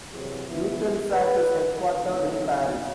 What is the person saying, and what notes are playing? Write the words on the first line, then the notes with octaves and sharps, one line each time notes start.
Eutelsat is headquartered in Paris.
C3 E3 F#3 F#4 G#4
E3 F3 B3 E4
B4
A2 C#3 F#3 A3 C4 D#4